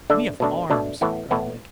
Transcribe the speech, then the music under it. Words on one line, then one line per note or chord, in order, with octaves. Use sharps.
"We have arms," cried Lincoln.
D3 A3 D4 A4
B2 A3 D4
B2 A3 D4
A2 E3 B3 E4
A2 E3 B3 E4